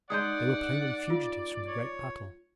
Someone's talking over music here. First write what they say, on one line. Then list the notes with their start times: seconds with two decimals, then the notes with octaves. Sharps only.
They were plainly fugitives from the great battle.
0.10 G#3 D#4 G#4 D5 F#5 D#6 G6
1.10 F4
1.67 C#5